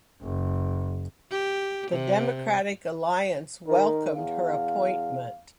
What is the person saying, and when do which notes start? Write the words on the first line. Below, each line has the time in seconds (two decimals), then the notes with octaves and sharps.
The Democratic Alliance welcomed her appointment.
0.22 F#1
1.31 G4
1.91 C3
3.67 D#3 A#4
4.17 E2 F5